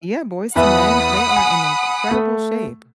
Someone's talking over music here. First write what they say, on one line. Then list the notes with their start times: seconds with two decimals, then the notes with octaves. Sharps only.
Yeah, Boyz II Men, uh, they are in incredible shape,
0.56 E2 B4 E5 F#5 B5 D#6
1.36 G#5
2.11 A3